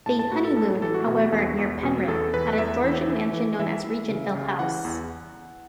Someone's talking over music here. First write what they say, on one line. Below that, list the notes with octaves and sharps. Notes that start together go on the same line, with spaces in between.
They honeymooned, however, near Penrith, at a Georgian mansion known as Regentville House.
A2 A5
A5
A2 F#4
A4
A2 A4
E3 A4
F#4
B2
E2
E2
B2
E2 A4
E2 B4
E2 E5
E3
E3
E3
E3 E5
E3
C#3
C#3
E3 F#5
E2